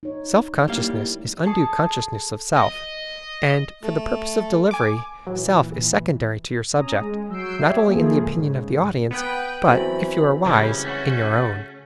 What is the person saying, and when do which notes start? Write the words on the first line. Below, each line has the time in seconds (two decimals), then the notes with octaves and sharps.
Self-consciousness is undue consciousness of self, and, for the purpose of delivery, self is secondary to your subject, not only in the opinion of the audience, but, if you are wise, in your own.
0.03 D#4 C#5
0.68 G3 A3 A#3 D4 E4 F5
1.45 G#4 A4 A5 C#6 D#6
2.57 D#5
3.83 A3
4.71 G#5 D6
5.27 A#2 E3 F#3
6.75 C#4 A#5 D#6
7.00 G#3
7.29 F#3 E6 G6 C7 D7
7.58 G3 G4 C#5 E5
7.87 F3 A3 A#3 G#4
8.20 G#2 C#3
9.11 B3 B4 G5
9.68 E2 E3 F#3 C4 B5
10.46 C#3 G3 G#3 C#4
10.85 A3 F#4